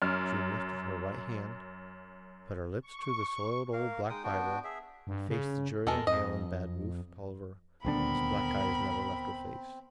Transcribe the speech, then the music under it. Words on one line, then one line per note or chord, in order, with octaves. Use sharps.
June lifted her right hand, put her lips to the soiled, old, black Bible and faced the jury and Hale and Bad Rufe Tolliver whose black eyes never left her face.
F#2 F6
C#6
A#3 A#4 F5
G#3 D#4 G5 D#6
B3 D4 F#4 G5
G#4 E5
G2
C#3
E2 G#3 A4 A#4
F2 D#5
D#1 D2 B3 C4 D4 A#4 B5